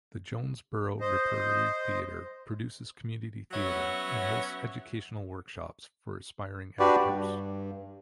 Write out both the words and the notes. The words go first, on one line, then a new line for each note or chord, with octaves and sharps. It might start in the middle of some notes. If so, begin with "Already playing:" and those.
The Jonesborough Repertory Theatre produces community theater and hosts educational workshops for aspiring actors.
C5 D#5
F#3 B3 C#4 C#5 E5 F#5
D4 F#4 G4 B4 D5
G2